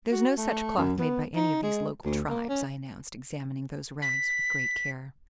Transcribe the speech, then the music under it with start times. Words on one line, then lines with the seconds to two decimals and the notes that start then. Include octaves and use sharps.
"There is no such cloth made by any of these local tribes," I announced, examining those rags with great care.
0.12 F#4
0.37 A3
0.78 F#2
0.99 B3
1.36 D#4
1.63 G#3
2.05 D2
2.30 A#3
2.49 C#4
4.02 B6